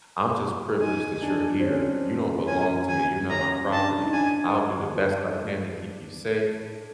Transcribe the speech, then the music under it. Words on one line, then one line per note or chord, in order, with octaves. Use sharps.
I'm just privileged that you're here. You don't belong to me. You're not my property. I'll do the best I can to keep you safe,
D#4 G#5
D4
C4
C#4
C#4 G#5
G#5
C#4 A#5
D4 A5
D#4
D4 G#5